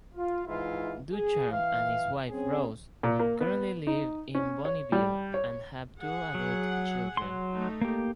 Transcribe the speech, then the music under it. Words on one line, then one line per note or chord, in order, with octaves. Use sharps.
Ducharme and his wife, Rose, currently live in Bonnyville and have two adult children.
F4
G#2 E3 E4 F4
G#4
E3 F5
C4 C#4 G#4
A#2
A#3
B3
D#4
C#4
C#5
G3
C#5
G#4 F#5
F#3
F#3 C6
A3 D#4
A#3 G4